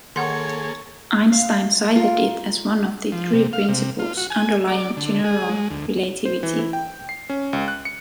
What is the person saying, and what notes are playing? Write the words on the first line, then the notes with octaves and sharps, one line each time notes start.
Einstein cited it as one of the three principles underlying general relativity.
D#3 A#3 G#4 A4 C#5 F#5 C6
F5
F4 A#4
F3
C3
F5
C3
F4
F#4
G#5
D5
D3
G#4
G#3
D2
C5
E3
E4
G5
C7
C#4
C#2
F#6
C#7